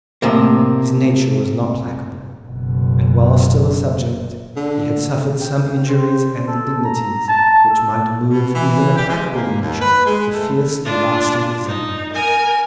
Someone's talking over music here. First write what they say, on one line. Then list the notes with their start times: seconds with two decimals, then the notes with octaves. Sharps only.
His nature was not placable; and, while still a subject, he had suffered some injuries and indignities which might move even a placable nature to fierce and lasting resentment.
0.22 A2 C3 A#3
2.47 F#1 B2
4.56 D3
5.40 G5
5.88 C5
6.48 A4
6.84 A#5
7.28 A5
7.70 A4
8.29 B2
8.54 E3
8.95 G4
9.08 G#3
9.31 A#3
9.61 D#2
9.80 B4
10.05 G#3
10.32 A3
10.85 D4 F4
11.66 D#4
12.14 A#4 G#5